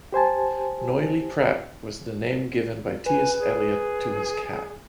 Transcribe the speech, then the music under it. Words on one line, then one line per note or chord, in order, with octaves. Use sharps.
Noilly Prat was the name given by T. S. Eliot to his cat.
G4 C5 G#5 A5
B4 G#5
G#4